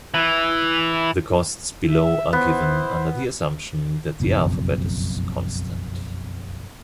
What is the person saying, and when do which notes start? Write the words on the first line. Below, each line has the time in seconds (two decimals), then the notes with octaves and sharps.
The costs below are given under the assumption that the alphabet is constant.
0.14 E3
1.87 E5
2.33 B3 E4 C5
4.20 F#1 B1 F2